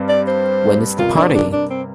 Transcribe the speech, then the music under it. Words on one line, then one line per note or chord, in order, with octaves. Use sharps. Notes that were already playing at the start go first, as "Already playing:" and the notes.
When is the party?
Already playing: G2 G3 C4 G4
D5
C5
C3 G3 A#3 F4
D4
D4
D4
C4